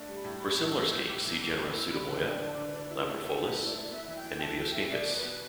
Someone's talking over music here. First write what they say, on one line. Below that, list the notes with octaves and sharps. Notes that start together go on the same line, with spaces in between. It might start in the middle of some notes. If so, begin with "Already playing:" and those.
For similar skinks see genera "Pseudemoia", "Lampropholis", and "Niveoscincus".
Already playing: A3 D4
G3
B5
A2
G3
A2 G6
E6
G3
B3 G6
A2 D6
E6
A2
B3 D6
A2 G6
E6
E4
D3 B5
D3 A5
G5
D4
G5
D4 A5
D3 D6
B4
D4 D5
E4
A3
A3
A3 B4
E4 B4
D5
E4
B3 E5
E3 E5
G5
E3
E4 A5
E3 G5
E3 E5
B2 D5
B3
B4
B3